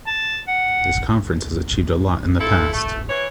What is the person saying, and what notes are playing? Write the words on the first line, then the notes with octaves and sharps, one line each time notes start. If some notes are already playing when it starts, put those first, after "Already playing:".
This Conference has achieved a lot in the past.
A5
F#5
E4 F4 A4
A3
E3 C#5